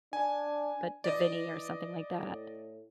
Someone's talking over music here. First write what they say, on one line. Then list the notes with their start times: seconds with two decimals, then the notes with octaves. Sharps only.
but Dhivehi or something like that.
0.13 D4 G#5
1.04 E3 D5 D#5
2.19 A2